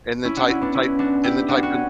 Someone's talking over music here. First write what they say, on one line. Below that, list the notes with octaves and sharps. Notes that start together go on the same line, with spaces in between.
and then type type and then type in
C#4 E4
D4 F#4
C#4 E4
B3 D4
C#4 E4
D4 F#4
E4 G4
D4 F#4
F#4
C#4